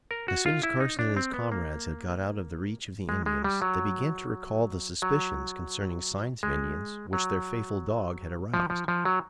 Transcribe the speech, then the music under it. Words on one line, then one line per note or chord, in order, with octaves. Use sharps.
As soon as Carson and his comrades had got out of the reach of the Indians they began to recall the suspicions concerning signs of Indians which their faithful dog had aroused.
A#4
F#4
F4
E4
D#4
D4
C4
B3
A#3
G#3
G#3
G3
F#3
F#3
G#3
F#3
F3
F3
F3
F#3